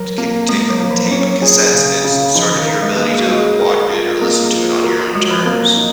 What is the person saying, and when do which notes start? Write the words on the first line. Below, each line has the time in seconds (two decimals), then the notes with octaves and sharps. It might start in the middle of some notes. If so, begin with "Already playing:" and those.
th ca uh, ta tape cassettes. It's sort of your ability to watch it or listen to it on your own terms.
Already playing: F#3 A#4
0.18 A#3
0.49 G#3 A#3
0.70 F#3
0.80 A#3
0.91 F3
1.11 F#3 C#4
1.42 G#4
1.73 C#3
2.04 C#3
2.35 F3 D#4
2.51 D#3
2.66 A#4
2.82 G#3
2.97 G#3 A#3
3.18 F#4
3.28 G#3 F#4
3.39 G#4
3.60 A#4
3.90 F4
4.21 A#3 G#4
4.53 F3
4.84 F#4 A#4
4.99 F4
5.15 F#3 G#3
5.31 F3
5.46 A#3
5.77 D#4